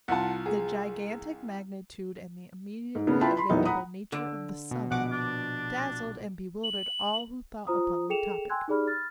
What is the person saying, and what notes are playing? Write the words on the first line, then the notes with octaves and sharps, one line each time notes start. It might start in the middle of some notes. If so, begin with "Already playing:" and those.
The gigantic magnitude and the immediately available nature of the sum, dazzled and bewildered all who thought upon the topic.
C2 F4 F#5 A5
G#4
G#2
C#3 B3 D4
E4 F4 B4 G5 A5 B5
B5 C6
E1 B1 A#2 B3 D#4 E4
F#5 A#5 B5 D#6
D3
B2
A#1 B2 F#5 D6
D4
F#7
F4 C5 A#5 D#6
G#4 A4 G5 C#7 E7 F7
G5 G#5 C6 E6 F#6 G#6
D#4 G4 G#4 D5 B5 F6
B5 F6 A6